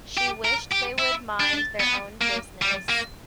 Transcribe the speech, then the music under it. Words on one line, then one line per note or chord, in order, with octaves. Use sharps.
She wished they would mind their own business.
G4
A#4
G4
E4
D4
B3
A#3
G3
A#3